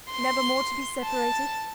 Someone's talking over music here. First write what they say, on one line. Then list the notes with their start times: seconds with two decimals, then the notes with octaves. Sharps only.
"Never more to be separated?"
0.11 C6
1.04 A5